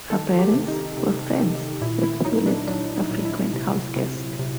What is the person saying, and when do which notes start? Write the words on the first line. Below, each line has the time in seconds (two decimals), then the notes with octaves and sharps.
Her parents were friends with Hulett, a frequent house guest.
0.10 D#3 A4
0.39 G4
0.53 C3
0.68 D#4
0.97 C3
1.39 D#3
1.81 A#2 E4
2.03 E4
2.25 F#3 D#4
2.46 D4
2.67 F#3 D4
2.96 D#4
3.11 A#2
3.25 E4
3.53 C3
3.96 C3
4.39 C3